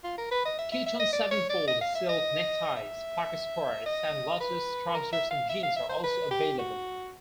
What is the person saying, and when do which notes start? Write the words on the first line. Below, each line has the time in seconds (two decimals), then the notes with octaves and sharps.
Kiton sevenfold silk neckties, pocket squares, sunglasses, trousers and jeans are also available.
0.04 F4
0.18 A#4
0.31 B4
0.45 D#5
0.59 E5
0.72 E5
0.86 E5
0.99 D#5
1.13 D5
1.31 C#5
1.50 D5
1.67 D#5
1.81 F5
1.95 E5
2.09 D#5
2.76 E5
3.86 D#5
4.40 B4
4.94 A#4
5.13 E5
5.31 F5
5.49 E5
5.63 F5
5.76 E5
5.89 C5
6.04 B4
6.31 G4
6.58 F#4